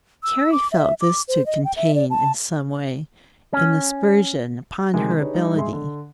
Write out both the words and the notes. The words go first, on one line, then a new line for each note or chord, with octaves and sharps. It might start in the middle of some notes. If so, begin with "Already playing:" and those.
Carrie felt this to contain, in some way, an aspersion upon her ability.
E6
D6
E5
D6
C5
D#5
G5
E5
D5
A5
C#4
C3 D#3 F#3 G#3
D4 D#4 G4 G#4 B4 C#5
G3 D#4
G#2 G#4 E5 C6
D3